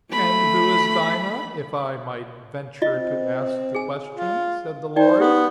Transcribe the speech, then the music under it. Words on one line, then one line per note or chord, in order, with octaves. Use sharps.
'And who is Dinah, if I might venture to ask the question?' said the Lory.
A3 B5
C4 F4 D#5
G#4 G#5
F4
D#4 C5 D5 G5
B3 G4 D#6